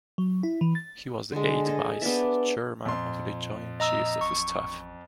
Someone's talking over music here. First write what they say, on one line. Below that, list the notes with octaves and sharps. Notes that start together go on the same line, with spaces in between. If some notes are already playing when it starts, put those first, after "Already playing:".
He was the eighth Vice Chairman of the Joint Chiefs of Staff.
F#3
E4
E3
A6
D3 G#3
G#4 A4 D#5
B3 D4 D5 E5
F2 A#2 C6
D#5 A#5 E6
A1 C#6